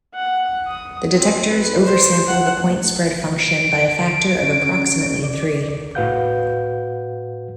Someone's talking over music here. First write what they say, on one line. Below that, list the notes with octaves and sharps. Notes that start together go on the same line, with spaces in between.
The detectors oversample the point-spread-function by a factor of approximately three.
F#5
D#6
C4
B4
C5
F#5
D7
C#4
D5
A2 F#4 B4 F5 F#5 G6